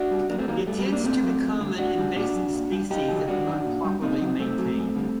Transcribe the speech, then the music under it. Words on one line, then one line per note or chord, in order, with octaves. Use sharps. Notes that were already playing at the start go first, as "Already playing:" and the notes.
It tends to become an invasive species if not properly maintained.
Already playing: D4 F#4
G3
F#2 A#3 D4
A3 C4
D#3 F#3 G3 A#3
G2 A3
G3 A#3
F#3
A#3 D4
A#2 A3 C4
F#3
F#2
D3 G3
A2 D4 F#4
G3
A#2 D4 F#4
F#3
A#2
G3
F#2 D#4 G4
D#3 F#3
G2 D4 F#4
D#3 F#3
A#2
G3
A#2 C4 D#4
F#3
F#2 A3 C4
F#3
F#2
D3 G3